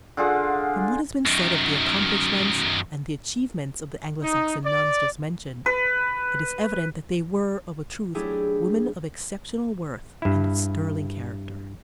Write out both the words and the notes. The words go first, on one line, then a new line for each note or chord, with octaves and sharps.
From what has been said of the accomplishments and achievements of the Anglo-Saxon nuns just mentioned, it is evident that they were, of a truth, women of exceptional worth and of sterling character.
D3 F4 G#4 F#5
F#2 D#3
D#4
D5
B4
F#3 A3 D4 E4 G4 G#4
G2 E4